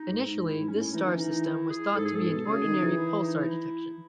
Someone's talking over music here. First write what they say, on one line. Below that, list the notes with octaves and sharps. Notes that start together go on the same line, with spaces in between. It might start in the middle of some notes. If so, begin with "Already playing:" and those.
Initially this star system was thought to be an ordinary pulsar detection.
Already playing: D#4
G#2
G#2
G#2 E4
G#2
C#4
A2
E3 D#4
D#3
E3 C#4
D#4
E4
G#4
G#2 A4
G#4
G#2 A4
B2
C#3 G#4
D#3
E3
D#4
E4
D#4
E4